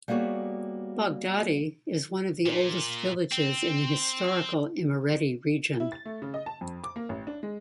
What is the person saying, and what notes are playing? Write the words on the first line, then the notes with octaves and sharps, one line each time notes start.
Baghdati is one of the oldest villages in the historical Imereti region.
G3 A#3 B3 F#4 G#4 C#5
A#2
C4
E4
A6
A3
C#3
D#5
A5
F2
D6
A#3
A1
D4
G#3